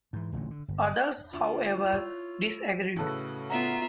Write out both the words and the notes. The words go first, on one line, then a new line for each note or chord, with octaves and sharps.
Others, however, disagreed.
G#2 E3
D1 A1 A#2 D3
D3
G1
D2 F4
E4 C#5 F7
A2 C#3 F#4 A4 B4
B3 F4 E5 F#5 A#5